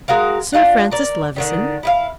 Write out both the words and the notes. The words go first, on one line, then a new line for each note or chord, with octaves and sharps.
Sir Francis Levison?
G#3 F#4 A#4 F5
D4 F4 F5 F#5
A#4 D5
D3 D#3 G3
E4 G4 F5